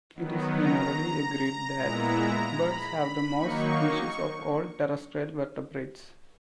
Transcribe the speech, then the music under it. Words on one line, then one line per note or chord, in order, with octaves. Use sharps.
It is generally agreed that birds have the most species of all terrestrial vertebrates.
D#3 F#3 B3
A#5
A#2 G#3 B3 E4
B5
B5
D#3 F#3 A#3 D#4 C#6